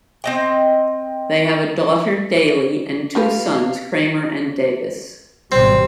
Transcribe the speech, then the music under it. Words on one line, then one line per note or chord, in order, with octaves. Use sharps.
They have a daughter, Daley, and two sons, Kramer and Davis.
C4 D#5 G5
F4 G4 B4 F5
G#1 B2 G3 C4